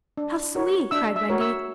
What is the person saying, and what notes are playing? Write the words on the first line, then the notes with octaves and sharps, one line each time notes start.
"How sweet!" cried Wendy.
D4
F#4 A#4 C#5
D4 E5 E6
E5 E6
F#4 A#4 C#5
E5 E6